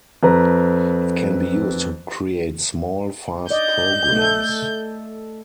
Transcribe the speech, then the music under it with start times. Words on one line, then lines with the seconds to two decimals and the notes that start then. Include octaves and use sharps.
It can be used to create small, fast programs.
0.23 F2 B4 A#5
3.51 D5 D#5 G6
4.12 A3 A4